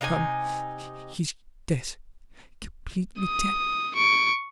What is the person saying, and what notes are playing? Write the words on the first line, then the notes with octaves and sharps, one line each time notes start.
Come, he's dead, completely dead.
C3 D#4 G#4 G#5
D#6
C#6 D7